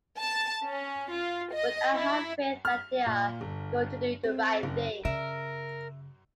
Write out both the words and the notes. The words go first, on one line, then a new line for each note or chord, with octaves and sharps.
But I have faith that they are going to do the right thing.
A5
C#4
F4
D#5
E4
F6
A#2
G1
C4
F#1
C#3 A#4 E5